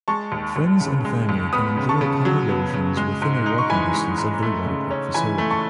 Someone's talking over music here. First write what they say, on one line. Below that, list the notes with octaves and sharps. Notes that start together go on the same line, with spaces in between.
Friends and family can enjoy accommodations within a walking distance of their waterpark facility.
G#3 A5 C#6
D#2
D#2
C#3
G#3
D#2
B3 B5 D#6
C#3
A5 C#6
C#3
F#3
B3
C#3
G#3
G#2
D#4
C#6
E3 G#5 B5
G#3
G#2
A3
C#3
C#4
E3 G#5 B5
A3
A5 C#6